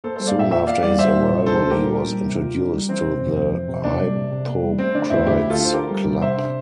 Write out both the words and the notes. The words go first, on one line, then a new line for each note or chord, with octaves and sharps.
Soon after his arrival he was introduced to the Hypocrites Club.
A#3 A4 C5
G3 A4 C5
D5 F5
A#2 E5 G5
F4 E5 G5
A#3 D5 F5
G3 D5 F5
G3 C5 E5
A#2
C2
D4 A4 C5
G3
G4 A#4
A#2
D4
G3
C3
F4
D4
G3
E3 C4
C3
F2
F2
E3
C3
A#3 D4
G3
C3
C3
A#3
G3
A3 C4
D3 D4
D2 C4 E4
D2 E4 G4
A3
F4 A4
D3
C5
D4 G4 A#4
G3
C3
C3 C5 E5
D4